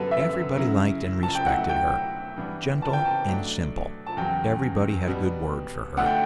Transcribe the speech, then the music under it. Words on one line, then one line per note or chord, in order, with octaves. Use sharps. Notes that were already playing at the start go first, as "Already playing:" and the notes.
Everybody liked and respected her, gentle and simple--everybody had a good word for her.
Already playing: F#2 D3 G3 B3 A4 B4
E5
C#3 F#3 C#4 E4
A5
G5
B2 F#3 A3 E4 F#5
G5
G2 E3 B3 D4
A5
G5
A5
B2 F#3 A3 D4
A5
E2 C#3 F#3 C#4 G5
B2 G3 B3
D2 D3 A3 D4 F#5
G5